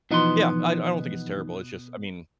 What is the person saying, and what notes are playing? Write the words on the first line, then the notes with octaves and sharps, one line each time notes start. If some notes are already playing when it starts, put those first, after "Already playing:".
Yeah. I I don't think it's terrible. It's just I mean,
B2 E3 F3 B3 D#4 C6